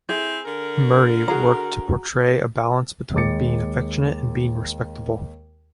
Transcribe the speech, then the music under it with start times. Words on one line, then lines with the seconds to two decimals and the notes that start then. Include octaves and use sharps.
Murray worked to portray a balance between being affectionate and being "respectable".
0.09 C4 E4 G#4
0.45 D3 A#4
1.28 F#4 G#4 A#5
3.14 D#2 G#3 D6 A6 C#7